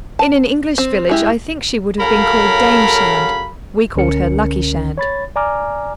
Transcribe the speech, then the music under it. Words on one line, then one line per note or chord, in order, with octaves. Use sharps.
In an English village I think she would have been called Dame Shand: we called her Luckie Shand.
A5
C4
G#3 E4 G4
C#3 F#3 A4 A#4 F5 B5
C#2 D3 C#4 A#4 C#7
C#5 B5 A6
D5 G#5 A#5 D6 F6